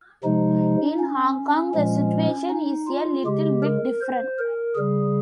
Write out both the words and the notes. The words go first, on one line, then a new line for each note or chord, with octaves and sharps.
In Hong Kong, the situation is a little bit different.
C3 F3 G#3 D#4
C#4
A#2 F3 G#3 C#4
D#4
F4
C#3 G#3 G4
A#4
C5
A#4
C#3 G3 G#4